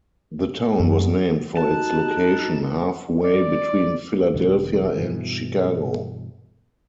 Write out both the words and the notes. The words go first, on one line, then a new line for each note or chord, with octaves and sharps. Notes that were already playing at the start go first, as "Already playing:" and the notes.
The town was named for its location halfway between Philadelphia and Chicago.
F#2
D#4 F#4 A5 F#6
D5
E1 D3
G2 B2 E3